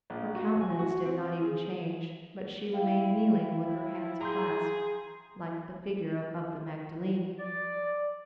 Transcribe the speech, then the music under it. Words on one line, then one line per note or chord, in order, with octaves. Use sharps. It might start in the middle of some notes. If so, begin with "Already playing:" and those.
Her countenance did not even change, but she remained kneeling with her hands clasped, like the figure of the Magdalen.
A#1
F#4
G#5
F#4
C4
G#4
E4 F5 G5
G#4 A#5 C6 G6
D5